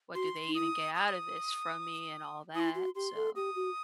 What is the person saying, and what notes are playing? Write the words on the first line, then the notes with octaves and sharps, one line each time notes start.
"What do they even get out of this from me?" and all that, so,
F#4 C6
D#4
E4 D#6
D#6
E4 C6 D#6
F#4
G4 C6
A4
G4 D#6
F#4